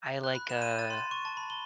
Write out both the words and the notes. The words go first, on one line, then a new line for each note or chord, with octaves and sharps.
I like, uh,
F#6
B5
E7
D#7
A6
C6
C#6
A5
B5
G7